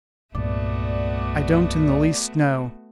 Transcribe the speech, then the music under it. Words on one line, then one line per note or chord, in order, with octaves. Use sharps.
"I don't in the least know."
C2 G2 A#2 A3 B3 F#4 D5